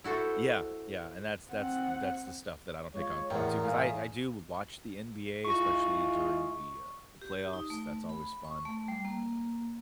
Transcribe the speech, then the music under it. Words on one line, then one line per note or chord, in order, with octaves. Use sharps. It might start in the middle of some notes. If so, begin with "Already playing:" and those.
Yeah, yeah, and that's that's that's the stuff that I don't pick on pon to, ‘cause I I do watch the NBA, especially during the, uh, the playoffs, that's always fun.
E4 F#4 A4 C5
C4 F#5
G#3 F4 C#5
E2 A2 A#4 F#5 G5
F5 G#5
G#3 E4 F4 C#6
G4
D#4
A3
B5
C#6
A3
G3
A#3